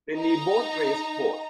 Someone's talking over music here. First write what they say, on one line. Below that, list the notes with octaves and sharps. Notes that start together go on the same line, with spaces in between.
Then we both raised both.
D#4 A#5